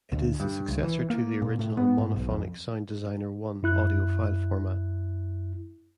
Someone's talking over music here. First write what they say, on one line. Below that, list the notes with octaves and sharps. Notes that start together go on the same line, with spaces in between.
It is the successor to the original monophonic Sound Designer I audio file format.
D2
G2
C#2
E3
A#3
A#2
A2
B3
G#2
B1
F2
F#2 E4 F#6